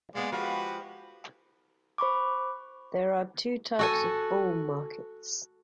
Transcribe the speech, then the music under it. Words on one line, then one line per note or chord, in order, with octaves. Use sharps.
There are two types of bull markets.
G#3 A#3 B3 D5
F3 G#3 F#4 G4 B4
C5 B5 C#6 D6
F#4 A4 G#5